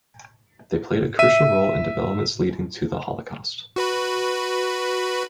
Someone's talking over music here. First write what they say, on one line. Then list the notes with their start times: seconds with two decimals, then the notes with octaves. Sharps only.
They played a crucial role in developments leading to the Holocaust.
1.19 E5 D#7
3.76 F#4 B4 B5